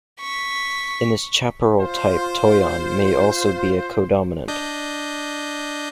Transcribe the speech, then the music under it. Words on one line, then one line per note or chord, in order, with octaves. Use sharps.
In this chaparral type toyon may also be a co-dominant.
C#6 B6
F4 C5
D4 D#5 G6